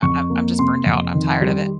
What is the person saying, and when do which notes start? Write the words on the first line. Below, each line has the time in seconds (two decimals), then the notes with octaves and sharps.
I I'm just burned out. I'm tired of it."
0.02 F2 C#6
0.30 A#3
0.59 C3 C6
0.86 F2
1.14 D#3
1.42 G3